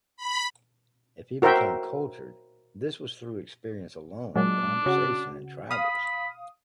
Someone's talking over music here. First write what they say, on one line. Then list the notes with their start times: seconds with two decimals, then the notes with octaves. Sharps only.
If he became cultured, this was through experience alone, conversation and travels.
0.17 B5
1.42 F#4 A#4 C5 E5 G5
4.36 A#2 F#3 G#3 D4
4.86 C#3 F#4
5.71 F5 B5 D#6